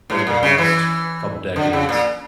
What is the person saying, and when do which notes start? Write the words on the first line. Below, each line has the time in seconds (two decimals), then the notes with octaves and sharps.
over the past couple decades
0.10 A2
0.27 A#2
0.43 C#3
0.58 E3
1.56 D3
1.73 C#3
1.89 A#2